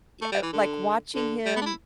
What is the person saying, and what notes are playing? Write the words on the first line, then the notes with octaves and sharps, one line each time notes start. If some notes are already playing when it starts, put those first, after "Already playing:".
y uh, like watching him,
A3
G3
E3
D3
D3
G3
B3
D4
E4